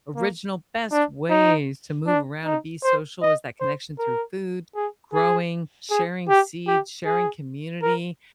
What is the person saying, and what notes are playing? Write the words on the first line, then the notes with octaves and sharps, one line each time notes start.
original best ways to move around and be social is that connection through food, growing, sharing seeds, sharing community,
A#3
D4
D#4
D4
D#4
C5
D#5
C5
A#4
G#4
G#4
G#4
G4
G4
G#4
A#4